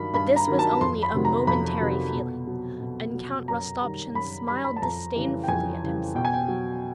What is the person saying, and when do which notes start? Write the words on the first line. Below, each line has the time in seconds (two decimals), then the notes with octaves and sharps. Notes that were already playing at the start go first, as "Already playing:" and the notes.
But this was only a momentary feeling and Count Rostopchin smiled disdainfully at himself.
Already playing: G2 D#3 F#3 B5
0.13 G2 B5
0.36 A#5
0.48 D#3 F#3
0.59 A5
0.81 F2 C6
1.03 B5
1.14 C3 D#3 F#3
1.25 A#5
1.47 F2 B5
1.81 C3 D#3 F#3
2.15 B2
2.47 F#3
2.81 B2
3.14 F#3
3.48 F#2 A#5
3.81 D#3 G3
4.15 F#2 B5
4.48 D#3 G3 B5
4.64 B5
4.76 A5
4.82 F2 A#5
5.15 C#3 E3 G3
5.44 G5
5.48 F2 G#5
5.82 C#3 E3 G3
6.15 B2 G5
6.25 G#5
6.34 G5
6.48 F#3